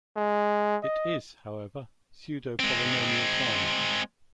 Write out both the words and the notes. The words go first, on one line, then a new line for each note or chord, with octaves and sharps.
It "is", however, pseudo-polynomial time.
G#3
D#5
G#3 C4